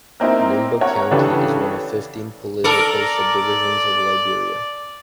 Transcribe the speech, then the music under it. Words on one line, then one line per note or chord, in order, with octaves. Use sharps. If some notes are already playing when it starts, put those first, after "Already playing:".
Nimba County is one of fifteen political subdivisions of Liberia.
A#3 C4 D#4 E4 A#4
A#4 C#5 F#5 A#5
C#3 E3 D4 G4 A4 B4
A4 A#4 D5